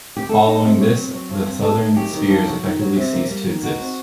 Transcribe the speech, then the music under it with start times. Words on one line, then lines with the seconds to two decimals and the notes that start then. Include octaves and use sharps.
Following this, the Southern Spears effectively ceased to exist.
0.17 G4
0.29 A3 A4
0.46 D#4
0.62 C3
0.79 F#3
0.95 C4
1.13 F#3
1.29 G2
1.45 C4
1.62 A3 A4
1.78 D#3
1.96 F#3 G4
2.13 D#3
2.29 G2
2.46 F#3
2.63 D#3
2.79 F#3
2.96 C3
3.13 A#3
3.29 G3
3.47 D#3
3.63 D#4 F#4
3.79 C4